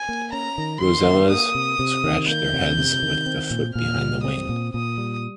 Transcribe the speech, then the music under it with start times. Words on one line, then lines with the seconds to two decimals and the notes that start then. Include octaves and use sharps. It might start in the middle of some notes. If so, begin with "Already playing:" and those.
Rosellas scratch their heads with the foot behind the wing.
Already playing: G#5
0.09 A#3
0.33 C#4 A#5
0.58 D#3
0.81 D#3 C6
1.06 A#3
1.30 A#3 D#6
1.55 C3
1.79 C3
2.04 D#3
2.28 A#3 G6
2.53 C3
2.78 C3
3.03 D#3
3.26 C4
3.51 A#2
3.75 A#2 F6
4.00 G3
4.24 C4 D#6
4.49 A#2
4.74 A#2 D#6
4.98 G3